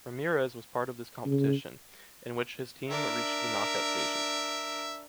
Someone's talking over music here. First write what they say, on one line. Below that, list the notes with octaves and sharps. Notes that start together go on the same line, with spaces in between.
Ramírez was part of this competition, in which his team reached the knockout stages.
C#3
D4 A#4 E5